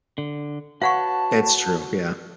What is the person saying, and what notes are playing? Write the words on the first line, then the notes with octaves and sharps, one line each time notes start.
That's true, yeah.
D3
F#4 B4 C#5 F5 F#5 A5 C#6